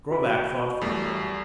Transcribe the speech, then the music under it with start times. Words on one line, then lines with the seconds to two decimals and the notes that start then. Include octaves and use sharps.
Krovac thought for a moment.
0.11 F#4 B5
0.81 E2 G3 A3